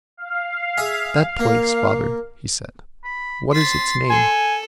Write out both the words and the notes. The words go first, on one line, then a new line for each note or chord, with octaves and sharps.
"That place, father," He said, "what is its name?"
F5
G#4 E5
A#3
B5
C6 A6 B6
A4 G#5